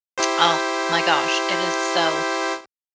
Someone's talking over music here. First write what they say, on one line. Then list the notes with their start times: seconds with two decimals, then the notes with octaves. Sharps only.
Oh my gosh, it is so,
0.18 E4 G4 C5